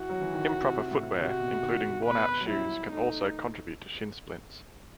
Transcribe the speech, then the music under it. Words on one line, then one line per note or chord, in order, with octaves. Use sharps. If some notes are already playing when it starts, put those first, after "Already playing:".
Improper footwear, including worn-out shoes, can also contribute to shin splints.
Already playing: E3 F#4
F#3
E3
D#3
C3
A2
C3 F#4
B2
C3
D#3
B2 B4
F#3
G3 E4
A3 D#4